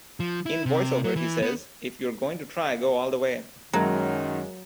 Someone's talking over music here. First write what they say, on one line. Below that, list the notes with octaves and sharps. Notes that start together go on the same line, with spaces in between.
In voiceover he says, If you're going to try, go all the way.
F3
E4
C3
F#3
E3
B3
F#2 D#3 F#3 G#3 A#3 E5 A5 A#5